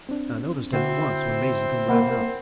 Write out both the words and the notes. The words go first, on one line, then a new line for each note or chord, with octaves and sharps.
I noticed him at once, when Mason come ridin' up.
C4 D4
D3 C4 E4 F#4 C5
A#3 A#4 F#5 B5